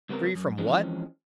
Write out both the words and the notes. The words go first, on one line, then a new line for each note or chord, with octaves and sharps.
Free from what?
C#2 G3 B3 C4 A#4
F#2
E3 F3 G#3 C4 C#4